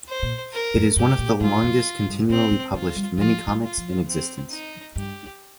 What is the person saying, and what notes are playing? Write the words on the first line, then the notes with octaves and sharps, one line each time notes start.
It is one of the longest continually published mini comics in existence.
C5
A#2
A#4
F2
G2 G4
A#2
G2 F4
F2
G2
A#2 C4
C3
D#3 F4
G3
F3 F4
G3
F4
F3
C4
D#4
G2 G4